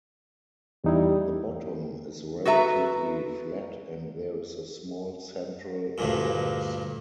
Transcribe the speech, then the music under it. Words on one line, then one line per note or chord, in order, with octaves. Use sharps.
The bottom is relatively flat and there is a small central rise.
E2 G3 D#4 E4
F#4 A4 B4 E5 A#5
D2 G2 A#2